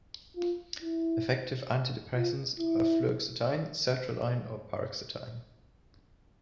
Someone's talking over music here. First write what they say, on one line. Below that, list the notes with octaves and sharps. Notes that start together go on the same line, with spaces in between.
Effective antidepressants are fluoxetine, sertraline, or paroxetine.
F4
E4
F4
E4